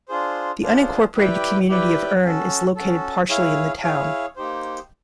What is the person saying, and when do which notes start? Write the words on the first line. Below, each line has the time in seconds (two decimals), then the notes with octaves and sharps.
The unincorporated community of Urne is located partially in the town.
0.08 D4 F4 G#4 C5
0.62 D4 F4 G#4 C5
1.16 E4 G4 B4 D5 G5
1.69 E4 G4 B4 D5 G5
2.23 C#4 F#4 A4
2.76 C#4 F#4 A4
3.29 E4 G#4 C#5 F5
3.83 E4 G#4 C#5 F5
4.36 A#3 D#4 G4 C5